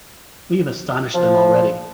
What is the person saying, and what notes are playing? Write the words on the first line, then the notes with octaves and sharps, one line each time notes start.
We have astonished them already.
F3